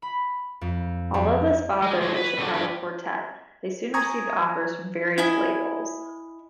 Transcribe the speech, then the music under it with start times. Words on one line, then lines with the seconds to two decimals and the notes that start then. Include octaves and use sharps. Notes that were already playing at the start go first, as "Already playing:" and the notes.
Although this bothered the Chicago quartet, they soon received offers from various labels.
0.02 B5
0.61 F2
1.14 F2
1.82 G#3
2.02 A3 D4 D#4 F4 F#4 G#4
2.16 B4
2.38 D3 B3 C#4 F#4 G4 A4
2.54 G2 G4 B4
3.94 G#5 A#5 C#6 D#6 G#6
5.18 E4 D#5 G#5